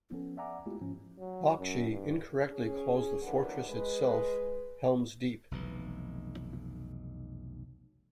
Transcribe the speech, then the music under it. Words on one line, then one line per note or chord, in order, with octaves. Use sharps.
Bakshi incorrectly calls the fortress itself "Helm's Deep".
F3 B3 C#4 A4
D5 E5 F#5 G#5 A#5 D6
G#3 A3 B3 E4 F4 G4
G#2 F3 C#4
F#3
F#2
G2
C#4 G#4
D3 E3 F#3 B3 A#4
G#3 B4
F1 B1 E3